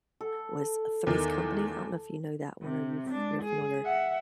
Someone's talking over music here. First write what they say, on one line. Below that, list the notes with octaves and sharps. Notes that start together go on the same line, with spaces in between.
was Three's Company, I don't know if you know that one or you've you're familiar,
A4
E2 D#3
C3
G#3 D4
G#4
E5 F#5